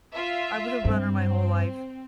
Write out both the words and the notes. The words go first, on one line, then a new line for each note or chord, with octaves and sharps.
I was a runner my whole life.
F4 E5
G2 C4